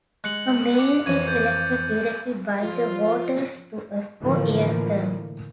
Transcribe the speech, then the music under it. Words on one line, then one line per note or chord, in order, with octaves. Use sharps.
A mayor is elected directly by the voters to a four-year term.
G#3 F#6 C#7 F#7
D6 C#7
F2 E3 G#6 D#7
G6 A6
F3 F4
A2 D3 E3 F3 A#3